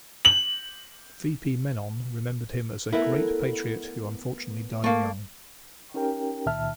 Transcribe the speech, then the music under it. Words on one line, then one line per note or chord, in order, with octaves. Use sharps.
V P Menon remembered him as "Great Patriot who unfortunately died young".
F#7
A3 B3 E4 A#4 E5
A3 A#3
C#4 D#4 G4 A#4 G5
C#2 A#2 D#3 E5 A5 F6